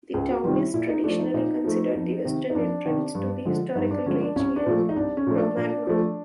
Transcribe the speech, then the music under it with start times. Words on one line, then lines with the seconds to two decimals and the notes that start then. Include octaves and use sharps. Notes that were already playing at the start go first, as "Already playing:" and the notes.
The town is traditionally considered the western entrance to the historical region Romagna.
0.14 C#2 G#4
0.29 F#4
0.44 C3 D#3 G3 F4
0.59 E4
0.74 A#2 E4
0.89 D#4
1.04 F3 A3 D4
1.19 D#4
1.34 A#2 D#4
1.64 F3 A3
1.95 F2
2.25 C3 D#3
2.50 D#4
2.54 F2 D4
2.85 C3 D#3
3.15 G2
3.45 D3 F3 G#3
3.75 G2 D#4
3.91 D4
4.06 D3 F3 G#3 C#4
4.21 D4
4.36 C2 C#4
4.56 D4
4.66 A#2 F3 A3
4.89 D#4
4.96 C2 D4
5.17 C#4
5.27 A#2 F3 A3
5.36 D4
5.57 A#2 D4
5.87 F3 A3